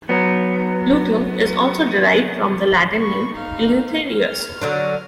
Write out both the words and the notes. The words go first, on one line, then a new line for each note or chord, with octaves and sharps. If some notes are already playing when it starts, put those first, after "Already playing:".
Luther is also derived from the Latin name "Eleutherius".
F#3 B3
B5 C#6
D#4 F5
F6
D3 F#3 D4